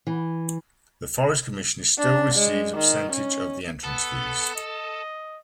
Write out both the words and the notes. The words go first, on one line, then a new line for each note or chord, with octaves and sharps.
The Forest Commission still receives a percentage of the entrance fees.
E3
D4
G#3
D#3
C#4
B3 A4
D#5